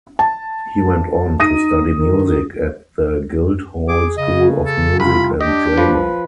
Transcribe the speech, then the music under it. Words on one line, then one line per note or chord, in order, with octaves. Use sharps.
He went on to study Music at the Guildhall School of Music and Drama.
A5
D#4 D#6 A#6 D#7
D#3
G#4 D6
C#3 D#5
A4
C2 F4 B5
D4 G4 D#5
F3 B4